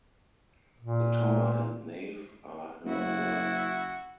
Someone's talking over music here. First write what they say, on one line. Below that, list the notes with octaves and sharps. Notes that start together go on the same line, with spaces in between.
The tower and nave are her work.
A#2
F#1 E4 F#4